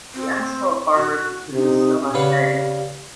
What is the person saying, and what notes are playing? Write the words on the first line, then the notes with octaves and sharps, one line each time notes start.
He asked how a farmer could produce so much hay.
C4
F#4
C3 D#4
C#3 G4 B4 D5 F5 F#5